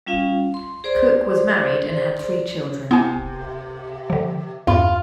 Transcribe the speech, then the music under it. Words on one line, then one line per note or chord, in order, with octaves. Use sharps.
Cook was married and had three children.
G3 C#4 F4 F5
C6
G#4 C5 D5 C6
C3 B3 E4 G#5
D3 F3
E2 G2 F4 B5